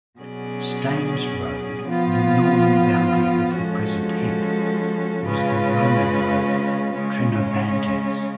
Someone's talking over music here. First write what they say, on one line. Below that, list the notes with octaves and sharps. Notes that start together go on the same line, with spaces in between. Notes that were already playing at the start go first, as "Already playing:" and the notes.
Staines Road, the northern boundary of the present Heath, was the Roman Road, "Trinobantes".
B2 F#3 C#4 G#4 D5
F3 B3 F4
F3 G#3 C#4 F#4 A4
C#3 G#3 C#4 F4 B4
C#3 G#3 C#4